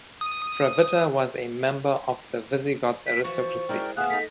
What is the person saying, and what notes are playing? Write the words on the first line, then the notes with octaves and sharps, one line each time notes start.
Fravitta was a member of the Visigoth aristocracy.
D#6
B6
E3 F3 F#4 C#6
G#3 E4 A#4 D5 G5
D2 B3 G#4 E5 F5 F#6
D#4 A4 B6